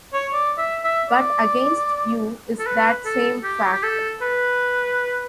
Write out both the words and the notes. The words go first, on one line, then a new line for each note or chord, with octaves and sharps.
But against you is that same fact.
C#5
D5
E5
E5
D5
A4
B4
A4
G4
G4
A4
B4